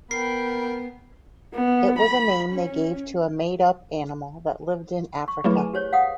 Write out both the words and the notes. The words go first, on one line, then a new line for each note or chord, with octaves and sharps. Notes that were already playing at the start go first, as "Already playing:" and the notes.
It was a name they gave to a made-up animal that lived in Africa.
B3 A#4 G5 B5 C7
B3
B5
C#4
C#6
F#3 A3 E4 G#4 B4
G#5
G4 C5 C#5
F5 F#5 D#6